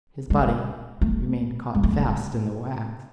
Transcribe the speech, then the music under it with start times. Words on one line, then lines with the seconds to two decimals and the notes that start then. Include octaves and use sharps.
His body remained caught fast in the wax.
0.30 G#3
1.01 A3
1.75 G#3
1.83 A3
1.93 G#3